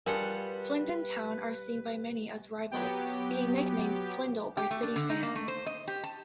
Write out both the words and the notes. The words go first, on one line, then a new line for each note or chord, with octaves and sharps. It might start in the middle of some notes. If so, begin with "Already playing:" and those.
Swindon Town are seen by many as rivals, being nicknamed 'Swindle' by City fans.
G3 D4 F4 G#4 A#4 B4 F#5 C#7
F#3 B3 G4
G4
A3
D4
D3
D#4
A#3
A3
C5
D#5
G4
A5